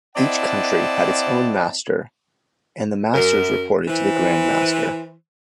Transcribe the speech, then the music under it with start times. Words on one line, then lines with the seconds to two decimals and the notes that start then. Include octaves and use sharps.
Each country had its own Master, and the Masters reported to the Grand Master.
0.16 C4 E4 D5 D#5 F#5 A5
3.13 F#2 A#4
3.88 E3 C5